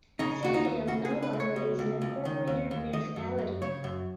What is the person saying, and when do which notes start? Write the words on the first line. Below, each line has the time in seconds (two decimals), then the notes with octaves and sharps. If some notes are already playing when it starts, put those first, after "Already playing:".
Sand Hill no longer is an incorporated municipality.
0.19 C#3 D#4
0.43 D#2 F#4
0.54 D#4
0.65 D#2
0.88 C#3 F#4
1.05 G#4
1.10 C#2
1.23 B4
1.33 C#2
1.40 C#5
1.56 B2
1.79 C#2
2.02 C#2
2.25 D#3
2.47 D#2
2.71 D#2
2.93 D#3 D#5
3.16 F#2
3.38 F#2
3.62 C#3 C#5
3.84 F#2